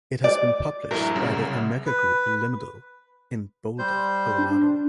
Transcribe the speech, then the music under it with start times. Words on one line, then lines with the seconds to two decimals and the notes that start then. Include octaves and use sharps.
It has been published by the Omega Group Limited, in Boulder, Colorado.
0.24 D5
0.91 A#1 G2 E4 A#4
1.16 C2 F#2 C#3
1.86 B4
3.79 G3 C5 G6
4.38 D4